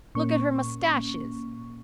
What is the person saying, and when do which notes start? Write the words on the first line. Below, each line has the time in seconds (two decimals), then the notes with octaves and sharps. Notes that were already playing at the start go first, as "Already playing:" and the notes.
Look at her moustaches!
0.15 A#2 A#3 C#4 C#6